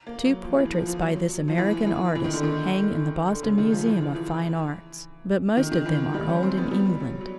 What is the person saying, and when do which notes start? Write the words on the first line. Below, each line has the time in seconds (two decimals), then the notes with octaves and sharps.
Two portraits by this American artist hang in the Boston Museum of Fine Arts, but most of them are owned in England.
0.07 A#3
0.25 F#3
0.44 F3
0.59 E3
0.73 F3
0.87 F3
1.02 F#3
1.48 F3
1.58 E3
1.87 E3
2.15 E3
2.24 D#3
2.34 D3
2.43 D#3
3.29 D3
3.43 C#3
3.58 D#3
3.72 F3
3.86 E3
4.15 E3
5.57 D#3
5.72 D#3
5.86 E3
6.14 G3
6.29 C#4
6.43 C4
6.58 B3
6.71 G3
7.00 F#3
7.21 F#3